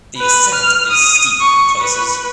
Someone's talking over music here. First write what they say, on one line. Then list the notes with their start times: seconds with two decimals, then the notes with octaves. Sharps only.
The ascent is steep in places.
0.17 B4
0.54 F6
0.91 D#6
1.42 C#6
1.81 B4